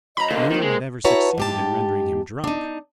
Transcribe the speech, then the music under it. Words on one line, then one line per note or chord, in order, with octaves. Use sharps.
No one had ever succeeded in rendering him drunk.
F#3 C#4 C5 D#5 A#5 B5
A#2 D3 G3 A#3 C5
D#3 C4 A#4
G#3
E4 F#4 B4 C#5 A5 A#5
G#2 G4 A5
D4 D#4